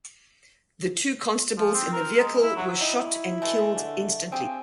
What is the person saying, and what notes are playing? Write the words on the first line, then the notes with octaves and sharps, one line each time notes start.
The two constables in the vehicle were shot and killed instantly.
F3
C4
A#4
G#3
E4
F#3
G3 D#4 E4
E3 G#3 A3
D3
C4 F4 G4 G#4